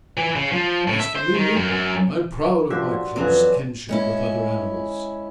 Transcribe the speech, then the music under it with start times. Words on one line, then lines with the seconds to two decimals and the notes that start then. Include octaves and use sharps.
As for me, I am proud of my close kinship with other animals.
0.17 E3
0.36 C#3
0.52 F3
0.88 A2
1.00 E5
1.16 C5
1.35 D#3
1.56 F#2
1.70 F#2
2.70 F3 D4 F#4 G4 C5 E5
3.16 F2 E3 F#3 G#4 D5
3.89 G#3 C#4 E4